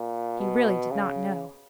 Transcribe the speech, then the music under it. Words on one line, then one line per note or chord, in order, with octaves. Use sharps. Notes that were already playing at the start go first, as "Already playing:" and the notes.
He really did not know.
Already playing: A#2
B2
C#3